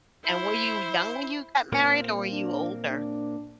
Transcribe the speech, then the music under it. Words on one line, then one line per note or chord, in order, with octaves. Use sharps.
And were you young when you got married, or were you older?
E4 C5
A#2 A#3 C4
D4
D4